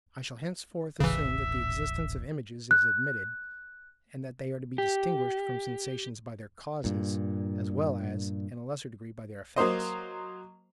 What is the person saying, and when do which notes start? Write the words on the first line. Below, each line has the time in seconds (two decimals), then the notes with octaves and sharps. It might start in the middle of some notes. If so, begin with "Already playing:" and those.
I shall henceforth assume that the existence of images is admitted, and that they are to be distinguished from sensations by their causes, as well as, in a lesser degree, by their effects.
1.00 D#1 A1 C#3 E3 E5
2.71 F#6
4.78 G4
6.84 G2 A#2
9.56 F#3 A#3 C5 D#5